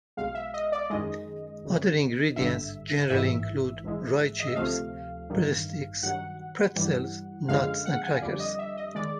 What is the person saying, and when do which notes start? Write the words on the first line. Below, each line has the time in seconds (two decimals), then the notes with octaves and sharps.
Other ingredients generally include rye chips, breadsticks, pretzels, nuts and crackers.
0.17 B1 B2 G#3 F5
0.35 E5
0.54 D#5
0.72 D5
0.90 F#2 D#3 G#3 D#5
1.63 G1 F#2 C#3
2.36 G#1 G2 D3 E5
3.10 A1 G#2 E3 E5
3.83 A#1 G#2 E3 G#3
4.40 D#5
4.47 E5
4.56 D2 C3 F3 A3 F5
5.29 A1 G2 D#3
6.03 G2 D#3 F#3 F#5
6.76 G2 E3 G3
7.48 F#2 D3 F3 G#3 F5
7.85 F#5
8.04 G#5
8.21 F2 D3 G3 D5
8.40 D#5
8.59 E5
8.77 D#5
8.95 D#3 G#3 D5